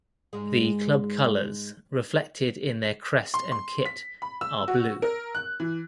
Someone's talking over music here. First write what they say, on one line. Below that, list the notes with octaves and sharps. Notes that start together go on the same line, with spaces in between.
The club colours, reflected in their crest and kit, are blue.
G#2 G#3
C6
C6
B6
B5
E6
F#4
A#4
F#6
E3